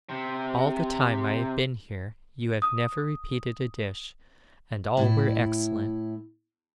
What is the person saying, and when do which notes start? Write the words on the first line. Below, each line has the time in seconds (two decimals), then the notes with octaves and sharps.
All the time I have been here you have never repeated a dish, and all were excellent.
0.09 C3
2.62 D#6
4.97 A2 E4